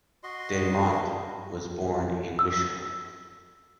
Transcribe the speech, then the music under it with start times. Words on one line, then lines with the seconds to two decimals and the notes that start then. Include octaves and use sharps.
De Monte was born in Mechelen.
0.23 F#4 D#5 C6
2.39 E6